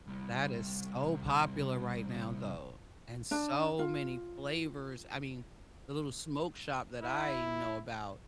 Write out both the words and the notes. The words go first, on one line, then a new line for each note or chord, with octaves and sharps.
That is so popular right now, though, and so many flavors, I mean, the little smoke shop that I know about,
C2 G3
D4
F4
E4